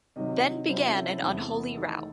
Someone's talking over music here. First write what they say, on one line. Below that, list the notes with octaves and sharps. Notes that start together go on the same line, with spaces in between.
Then began an unholy row.
C3 D#3 F#3 D#5
C3 F#3 C#4 E4 C5
A4
E2 C3 E3 A3
D#3 A3 D#4 A4